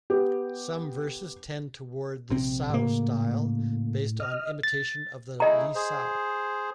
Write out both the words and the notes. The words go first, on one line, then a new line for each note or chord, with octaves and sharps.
Some verses tend towards the "sao" style, based on imitation of the "Li sao".
B3 G4
A#1 C3 C4
A2 C#3 A#3
D#5 F6
A6
A3 E4 G#4 D#5 A#5
G#4 C5